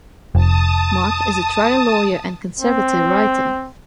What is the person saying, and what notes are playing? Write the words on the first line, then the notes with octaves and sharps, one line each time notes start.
Mark is a trial lawyer and conservative writer.
F1 A5 D#6
C4